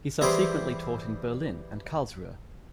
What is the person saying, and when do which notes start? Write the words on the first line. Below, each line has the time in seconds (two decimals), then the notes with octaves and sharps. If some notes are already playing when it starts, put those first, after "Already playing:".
He subsequently taught in Berlin and Karlsruhe.
0.21 E3 G3 E4 G4 G#4 C5